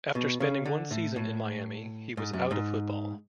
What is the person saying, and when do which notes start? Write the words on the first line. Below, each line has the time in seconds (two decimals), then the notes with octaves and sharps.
After spending one season in Miami he was out of football.
0.15 B2
0.40 C#3
0.66 D3
0.91 A2
1.16 A2
2.17 G#2
2.33 F#2
2.51 G#2